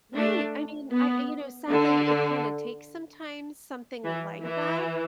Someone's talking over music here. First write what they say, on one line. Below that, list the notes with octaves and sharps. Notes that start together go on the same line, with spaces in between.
Right! I mean, I you know, sadly it kinda takes, sometimes, something like that,
A3 D4
B3
D3
E3
E3